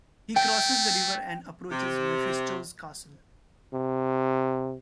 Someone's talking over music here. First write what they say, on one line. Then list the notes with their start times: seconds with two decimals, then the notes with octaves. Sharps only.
He crosses the river and approaches Mephisto's castle.
0.36 A3 G5
1.71 C3
3.73 C3